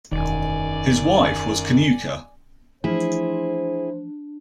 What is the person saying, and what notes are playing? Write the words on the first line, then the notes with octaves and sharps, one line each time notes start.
His wife was Cnucha.
E1 F#2 D#3 D5 G#5
E3 F3 A3 D4 E4 G#4 C5